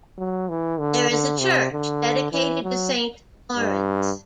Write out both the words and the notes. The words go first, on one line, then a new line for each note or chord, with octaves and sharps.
There is a church, dedicated to Saint Lawrence.
F#3
E3
D3
D3
C3
D3
E3
F#3
G2